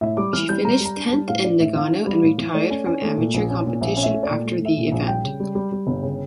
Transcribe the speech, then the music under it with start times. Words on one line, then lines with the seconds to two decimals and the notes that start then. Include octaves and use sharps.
She finished tenth in Nagano and retired from amateur competition after the event.
0.01 A2 E5
0.17 G3 D6
0.33 E3 F6
0.49 G3 G6
0.65 G3 A#5
0.80 G3
0.85 A#5
0.96 D4
1.07 A5
1.12 G3
1.28 A2 F5
1.43 D4 D5
1.59 A2 E5
1.76 E3 F5
1.91 D4
2.07 G3
2.23 A2
2.38 E3
2.54 A3 D5
2.70 C#4
2.86 C#4
3.02 A3
3.17 A#2
3.34 A#1
3.50 C#4
3.66 A#2
3.81 A#1 E5
3.97 C#4
4.03 E5
4.13 A3
4.23 D5
4.29 A#2
4.45 A3
4.60 A3
4.65 E5
4.77 A#2
4.87 E5
4.92 A#1
5.08 G3 G5
5.23 C#3
5.40 G3
5.55 G3
5.72 G3
5.87 G1
6.03 C#3